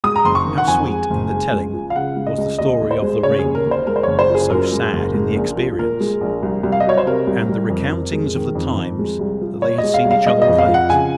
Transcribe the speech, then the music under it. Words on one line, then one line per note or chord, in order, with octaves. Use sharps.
How sweet in the telling was the story of the ring, so sad in the experience! and the recountings of the times that they had seen each other of late.
G#3 D#6
A#5
F#1 C6
C#6
D#3
F#5
F2 G#5
G#3
F#1
G#3
C#2
F3
F5
C#3 F#5
G#3
D#5
C#2
D#2 D#5
D#2
C5
G#3
C#3 C#5
G#4
D#2
A#4
D#2
C5
G#3 A#4
C5
F#1 C#5
C5
F3
G#4
F#2 A#4
G#3
F#1
G#3
A#1
F3
A#2 A#4
G#3
A#1
C2
C2
F5
D#5
F#3 C#5
C5
C3 A#4
C2
C2
F2
F2
G#3
D#3
F2
F2
G#3
C2
F3
A#2 C#5
D#5
G#3
F5
C2
F5
G#3 D#5
D#5
F2
F5
F3
F#5
C#3 G#5